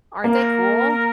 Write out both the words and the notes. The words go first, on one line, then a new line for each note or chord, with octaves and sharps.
Aren't they cool?
A#3 A#4